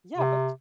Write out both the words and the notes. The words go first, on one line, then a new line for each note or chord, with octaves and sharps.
Yeah, but
C3